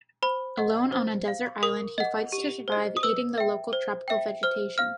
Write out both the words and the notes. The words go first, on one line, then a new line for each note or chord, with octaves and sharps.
Alone on a desert island, he fights to survive, eating the local, tropical vegetation.
C5 B5
D#5 F#5
C5
F5
A#4 D#6
D#5 F#5
G4
C5 D#5
D#6
B4 E6
E5 G5
C5
E5 G5
C5 F6
F5 F6